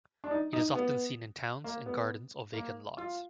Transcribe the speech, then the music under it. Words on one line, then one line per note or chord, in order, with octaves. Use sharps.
It is often seen in towns, in gardens or vacant lots.
D4
D#4
D#4
B3
A#3
B3
A#3
F4